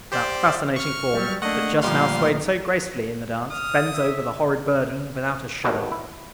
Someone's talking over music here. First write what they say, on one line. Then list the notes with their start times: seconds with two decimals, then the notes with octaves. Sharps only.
That fascinating form, that just now swayed so gracefully in the dance, bends over the horrid burden without a shudder.
0.12 G4 C5 D5
0.76 C#6 F6
1.14 F#3 G3
1.42 A3 A#3 D4 D#5 F#5
1.83 D2 A#2 F3 G3 F5 C6
3.51 D#6 F6
3.93 E5
5.64 G#1 G2 B2 F#3
5.92 E4